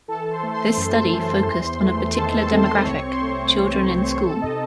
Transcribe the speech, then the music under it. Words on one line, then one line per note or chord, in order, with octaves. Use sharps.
This study focused on a particular demographic: children in school.
E3 A4 A5
C5 C6
A3
C5 C6
F#2
E3
E2
A3
D#3 A4 A5
A4 A5
C4
C5 C6
C2 C#5 C#6
C5 C6
A3
C5 C6
E3
C3
C4 A4 A5
D#4 D#5